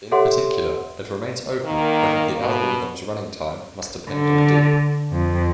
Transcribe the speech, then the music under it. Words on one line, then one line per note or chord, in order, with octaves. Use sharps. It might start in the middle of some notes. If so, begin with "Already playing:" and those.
In particular, it remains open whether the algorithm's running time must depend on "d".
G4 A4 C#5 E5 F#5 C6
D#3 A#3
B2
D3
F2